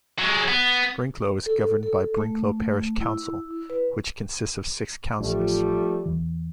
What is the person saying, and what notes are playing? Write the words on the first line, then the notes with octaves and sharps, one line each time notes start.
Brinklow is governed by Brinklow Parish Council, which consists of six councillors.
F#3 G#3
B3
A4
A4
A3
E4
B4
A1 F3 G3 A3 D4
E2 E3